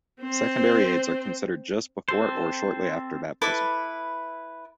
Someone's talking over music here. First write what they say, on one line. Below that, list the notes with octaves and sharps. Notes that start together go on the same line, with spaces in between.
Secondary aids are considered just before or shortly after baptism.
C4 C5
C4 A4 C5
E4 A4 B4 D6